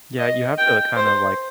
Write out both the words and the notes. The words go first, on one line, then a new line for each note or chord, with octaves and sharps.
Yeah, you have to kinda, like
D#5
G5
C5